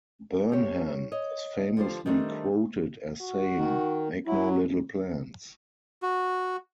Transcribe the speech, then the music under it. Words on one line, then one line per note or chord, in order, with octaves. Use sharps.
Burnham is famously quoted as saying, Make no little plans.
G4 C#5
C#5 D#5
D3 F3 G4 C5
D#3 G3 A3 C4 D4
F#4
D#3
F#3 E4
F#4